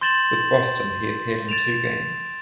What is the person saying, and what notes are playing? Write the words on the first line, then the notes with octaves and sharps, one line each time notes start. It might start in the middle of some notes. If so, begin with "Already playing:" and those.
With Boston he appeared in two games.
C6 G6 A6 E7 F#7 G7
A6 D7 E7 F7